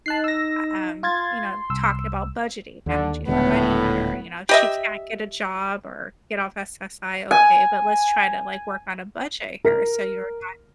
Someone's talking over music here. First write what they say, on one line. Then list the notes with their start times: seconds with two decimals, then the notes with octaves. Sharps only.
U um, you know, talking about budgeting, managing her money better, uh, you know, if she can't get a job or get off SSI. Okay. But let's try to, like, work on a budget here. So you're not
0.06 D#4 A5 F#6 C7
0.24 E6 A#6
1.03 F4 C6 G#6 A6
1.70 C2 E6
2.86 D#2 D3
3.28 D#1 A2 D3 G#3 B3
4.49 G4 D#5 E5
7.31 G#5
9.65 A#4